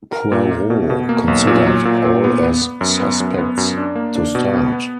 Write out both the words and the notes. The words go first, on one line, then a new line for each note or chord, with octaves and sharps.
Poirot considered all as suspects to start.
A#4
A#2
A#3
B2
B2
A#3
B1
A#2
F#3
A#2
A#2
B3
B3
B3
F#2
B3
F#2
B3
F#2
D4
A#3
D4
B2
B3
B3